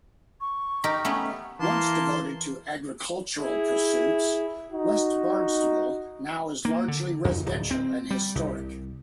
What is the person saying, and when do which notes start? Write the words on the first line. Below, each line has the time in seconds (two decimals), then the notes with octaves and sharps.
Once devoted to agricultural pursuits, West Barnstable now is largely residential and historic.
0.41 C#6
0.84 D#4 G4 A#4
1.05 A3 B3 C#4
1.60 E3 A#3 A5 C6
3.38 E4 G#4
4.73 D#4 F#4
6.65 A#3
6.88 D3
7.25 F2
7.46 D1
7.71 C4
8.11 G3
8.35 C2